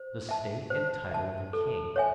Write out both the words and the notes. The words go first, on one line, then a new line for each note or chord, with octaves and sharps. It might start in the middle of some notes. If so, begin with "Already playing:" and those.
The state and title of a king.
Already playing: C5
E5 A5
C5
E5 A5
A4
C#5 E5 G#5